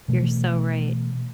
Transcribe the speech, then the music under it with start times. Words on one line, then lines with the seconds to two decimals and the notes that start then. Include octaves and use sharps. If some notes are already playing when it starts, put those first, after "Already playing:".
You're so right,
0.08 B2 E3 A3